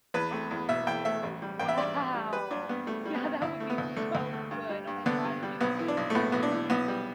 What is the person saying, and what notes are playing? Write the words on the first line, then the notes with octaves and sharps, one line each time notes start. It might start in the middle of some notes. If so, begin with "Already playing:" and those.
Oh, wow. Yeah, that would be so good. Oh, my god. Sweet potato, too.
E2 B4
A3
E2
B2 E5
E2 G5
A3 E5
A1
G3
A1 G5
E5
G2 D5
A1
G3
G3 B4
G2 D4
G2 B3
G3 A3
G3
B3
G2
D2 E4
A3
B3
D2
D3 A3
D2
A3
G2
G3
G2
D3 B3
G2
G3
B1 B3
E3
D4
B1
A3
A2 B3
B1 B3
D4
E3
B1 B3
G3